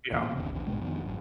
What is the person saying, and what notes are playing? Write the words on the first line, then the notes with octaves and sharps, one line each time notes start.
yeah, um
E2 A#2
F#1 D#2 C#3
A#1 E2 D3
A#1 G#2 B2 G#3
F2 B2 D3 D#3
G#1 F#2